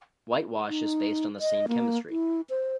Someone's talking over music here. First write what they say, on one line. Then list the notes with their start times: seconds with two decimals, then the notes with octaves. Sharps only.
Whitewash is based on the same chemistry.
0.69 D#4
1.40 D#5
1.68 A#3
2.10 E4
2.50 C5